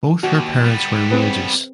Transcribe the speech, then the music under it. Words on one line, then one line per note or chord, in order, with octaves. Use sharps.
Both her parents were religious.
D#2 F#4
G3 B3
C4 G#4 B4